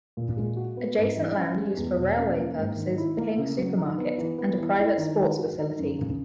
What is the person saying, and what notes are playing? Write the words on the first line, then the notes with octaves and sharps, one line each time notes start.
Adjacent land used for railway purposes became a supermarket and a private sports facility.
A#2
G#3
F#4
B3
G#2
E3
C#4
G#3
E2
B2
C#4
A#3
G#2
D#3
E4
A#3
C#3
F#3
D#4
B3
E3
B3
E3
E4
D#3
G#3
F#4
D#4
F#2
C#3